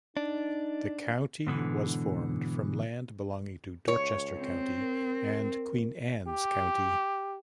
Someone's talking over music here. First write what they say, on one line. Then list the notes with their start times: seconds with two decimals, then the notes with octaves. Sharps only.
The county was formed from land belonging to Dorchester County and Queen Anne's County.
0.17 D4 D#4
1.47 G#2 B2 D3 E3
3.88 C#2 C#5
4.40 C4
4.81 A#4
6.28 G4